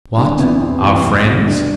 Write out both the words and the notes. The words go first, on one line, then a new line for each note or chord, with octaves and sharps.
"What! our friends?"
C2 D4
C3 E3 B3
E2 C4
C3 E3
C2
B2
G2 D4